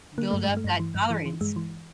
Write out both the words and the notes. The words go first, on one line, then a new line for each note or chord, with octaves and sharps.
Build up that tolerance.
D3 A#3
G2 A3
G2 G#3
A3
G2
E3
G2
E3
E3
G2 G#3
E3